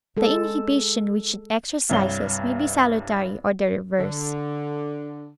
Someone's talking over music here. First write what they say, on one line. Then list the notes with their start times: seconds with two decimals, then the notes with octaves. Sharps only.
The inhibition which it exercises may be salutary or the reverse.
0.17 G#3 A4
1.90 C2 G2 C#5 G7
3.99 D3